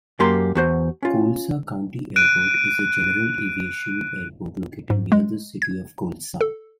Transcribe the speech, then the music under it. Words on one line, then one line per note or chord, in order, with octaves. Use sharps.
Colusa County Airport is a general-aviation airport located near the city of Colusa.
F#2 A#3 G4 C6
E2 F#4 C5
C#4 F4
F#6 D7 D#7
G#2
G#3
G#6
A4